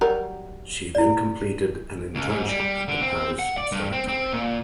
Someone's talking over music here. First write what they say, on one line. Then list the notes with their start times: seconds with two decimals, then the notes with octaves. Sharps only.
She then completed an internship at the Paris Observatory.
0.01 F#3 G3 A#4
0.95 E4 D5
2.15 C#2
2.29 G#2
2.48 G3
2.60 G3
2.88 D3
3.01 C4
3.39 F#5
3.58 D5
3.72 G2
3.92 C4
4.08 C4
4.33 A#2